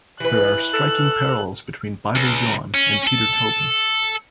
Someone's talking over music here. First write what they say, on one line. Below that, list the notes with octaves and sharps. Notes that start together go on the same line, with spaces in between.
There are striking parallels between Bible John and Peter Tobin.
E3 B4 F#6
A4
C#2
C#4
A4